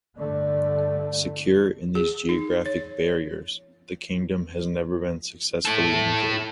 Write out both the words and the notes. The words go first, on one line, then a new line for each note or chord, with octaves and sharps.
Secure in these geographic barriers, the kingdom has never been successfully invaded.
G2 D3 A3 D5
G#4
D#4
C#5
E4 A4